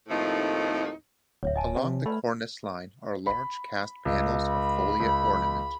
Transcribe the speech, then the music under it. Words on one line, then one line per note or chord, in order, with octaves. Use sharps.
Along the cornice line are large cast panels of foliate ornament.
D#2 A2 F3 A3 C4 D#4
D1 C#5 E5
D#5 G#5 A5
C3
A3 B4 D5 B5
B5
C#2
B5
C#2